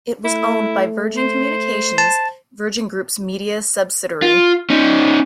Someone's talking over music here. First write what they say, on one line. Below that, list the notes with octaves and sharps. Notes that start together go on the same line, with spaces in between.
It was owned by Virgin Communications, Virgin Group's media subsidiary.
A3 E4
C5
A5
F4
C#4 D#4